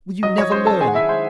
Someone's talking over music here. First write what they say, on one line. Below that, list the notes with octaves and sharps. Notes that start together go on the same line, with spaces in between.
Will you never learn?
F#3 D#5 D#6
C#5 C#6
C#4 C5 C6
A4 A5
D#3 G#4 G#5
F#5
E4 E5
G#3 C5